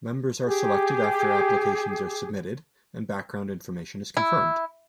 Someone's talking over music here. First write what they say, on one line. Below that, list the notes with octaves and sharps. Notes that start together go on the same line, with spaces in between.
Members are selected after applications are submitted and background information is confirmed.
G4 G#4
E4